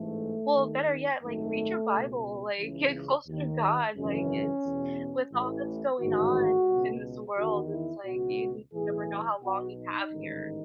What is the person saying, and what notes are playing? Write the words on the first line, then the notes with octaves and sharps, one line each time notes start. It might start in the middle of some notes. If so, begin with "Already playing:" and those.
well, better yet, like read your Bible, like, get closer to God. Like it's with all that's going on in this world, it's like you never know how long you have here.
Already playing: A1 G#2 E3 A3
D#2 D#3
G#1 F#2 D#3 A3
C#2 B2
C#2 C#3 E3
D#2 D#3
G#1 F#2 C#3 E3 C#4
E2 B2
A1 A2 E3
A1 G#2 D#3 F#4
C#2 B2
E2 D#3 F#4
E4
C#2 B2 F#4
B1 A2 E3 G#4
B1 B2 F#4
D#4
A1 G#2 D#3